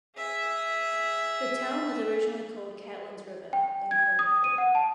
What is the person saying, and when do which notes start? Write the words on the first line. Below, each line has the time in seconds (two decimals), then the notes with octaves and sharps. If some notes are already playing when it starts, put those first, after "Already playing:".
The town was originally called "Catlins River", then "Quakerfield".
0.17 G#4 E5
3.53 G5
3.91 G#6
4.19 D#6
4.44 D#7
4.58 F#5
4.75 A5